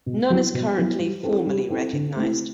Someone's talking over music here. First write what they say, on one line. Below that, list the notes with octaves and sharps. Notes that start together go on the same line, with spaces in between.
None is currently formally recognized.
B2
F#3 B3 E4
B2
F#3 B3 E4
G3
C4 E4 A4
G3
C4 E4 A4
D3
A3 C4 E4